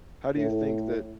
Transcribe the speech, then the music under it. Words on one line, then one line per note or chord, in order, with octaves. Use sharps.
How do you think that
A2